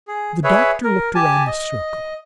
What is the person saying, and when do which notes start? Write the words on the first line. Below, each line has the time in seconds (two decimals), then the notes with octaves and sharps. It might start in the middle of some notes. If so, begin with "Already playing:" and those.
The doctor looked around the circle.
0.08 G#4
0.44 G#4 B4 C#5 E5
0.84 A#4
1.15 G4 G#5 A5
1.47 D#5